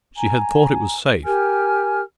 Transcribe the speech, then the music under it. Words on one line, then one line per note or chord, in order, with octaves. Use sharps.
She had thought it was safe.
G#5 A#5
G4 A#4 G#5 F6